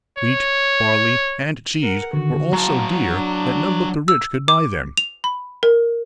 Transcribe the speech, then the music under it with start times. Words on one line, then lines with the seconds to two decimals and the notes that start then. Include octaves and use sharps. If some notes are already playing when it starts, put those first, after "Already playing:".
Wheat, barley and cheese were all so dear that none but the rich could buy them.
0.18 C#5
1.83 A#4 F#5
2.13 D3 D#3 F#4
2.53 F#3 A5 A#5
3.13 D4
4.08 E6
4.48 D6
4.97 F7
5.24 B5
5.63 A#4